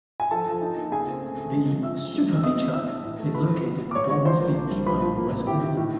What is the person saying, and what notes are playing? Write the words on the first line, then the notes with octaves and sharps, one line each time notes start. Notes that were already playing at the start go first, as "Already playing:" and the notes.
The "super beach hut" is located on Bournemouth's beach under the West Cliff lift.
G#5
F3 A4 A5
F3
D#4
A#3
C#3 G#4 G#5
C4
A3
A3
G#3
F3
F3 E5 E6
F3
G#3
G#3
E6
G#3 D#5 D#6
B3
E3 E5 E6
D4
A2
A3
E3 B4 B5
E3
B3
B3
D6
G#3 C#5 C#6
G#3 C#5 C#6
F3 C5 C6
A#3
D4
G3
F3 B4 B5
F3
A#3
C3
E4 G4 G5
D#3
A2